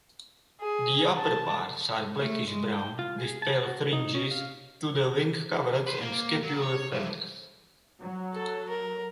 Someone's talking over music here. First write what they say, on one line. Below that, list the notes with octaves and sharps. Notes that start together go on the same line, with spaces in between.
The upperparts are blackish-brown with pale fringes to the wing-coverts and scapular feathers.
G#4
A5
A3
G#3
G5
F4
G#4
A5
F#4
D#4
C#4
F5
B4 C5
A#3
F#3
C#5
F3 E4
F#3
A4
A#4